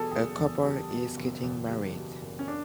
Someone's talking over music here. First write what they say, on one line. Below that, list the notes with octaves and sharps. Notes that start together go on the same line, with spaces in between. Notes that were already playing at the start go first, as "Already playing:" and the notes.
A couple is getting married.
Already playing: E2 B2 G3 G#4 A4
F#1 G#4
E2
G3
B2
F#1
E2
G3
B2
F#1
C#4
C#3 D4